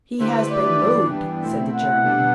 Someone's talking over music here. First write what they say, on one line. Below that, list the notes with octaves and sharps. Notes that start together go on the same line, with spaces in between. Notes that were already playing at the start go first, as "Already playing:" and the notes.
"He has been moved," said the German.
D3 A3 E4 G4 B4 C5
D5
G2 E3 G3 B3 D4
G5
B2 A3 C4 E4
F#5
B2 G3 B3 D4 A4